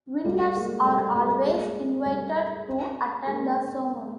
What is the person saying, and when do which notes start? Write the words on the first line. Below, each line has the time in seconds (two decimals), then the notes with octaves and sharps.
Winners are always invited to attend the ceremony.
0.25 G3 A3
0.55 G#3 A#3
0.85 G3 A3
1.16 G3 A3
1.46 G#3 A#3
2.06 G3 A3
3.27 G#3 A#3